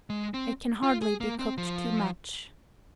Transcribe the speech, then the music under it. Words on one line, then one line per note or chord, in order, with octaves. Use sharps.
It can hardly be cooked too much.
G#3
C4
F4
G#4
A#3
C4
F3